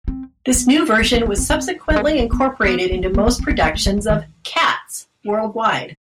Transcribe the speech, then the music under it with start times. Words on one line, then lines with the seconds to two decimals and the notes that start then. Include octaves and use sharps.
This new version was subsequently incorporated into most productions of "Cats" worldwide.
0.08 C4
0.55 B3
1.02 B3
1.14 C4
1.26 B3
1.38 C4
1.50 C4
1.90 G3
1.96 G#3
2.08 A3
2.20 A#3
2.33 B3
2.64 C4
2.67 B3
2.92 A#3
3.03 A3
3.14 A#3
3.27 B3
3.39 C4
3.51 B3
3.63 B3
3.74 A3
3.86 G3
3.98 E3
4.10 D#3